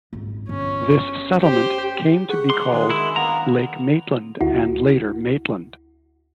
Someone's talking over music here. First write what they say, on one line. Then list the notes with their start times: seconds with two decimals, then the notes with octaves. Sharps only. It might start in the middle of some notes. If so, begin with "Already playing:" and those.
This settlement came to be called Lake Maitland, and later Maitland.
0.13 G#1 C#2
0.49 G1 C#4
1.41 G4 C5
2.29 G#4 F#5 C#6 B6
2.50 C6 D6
2.72 D#3 G#3 D4 F#4
2.90 E4 C6
3.16 A#3 B3 A#5
4.41 D2 E4 F#4